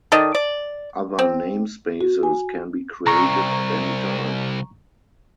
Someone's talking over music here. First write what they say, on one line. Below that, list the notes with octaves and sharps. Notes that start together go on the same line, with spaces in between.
Other namespaces can be created at any time.
D#3 A4 D5 D#5
D5
C4
F#4
G#5
C2 A#5 C#6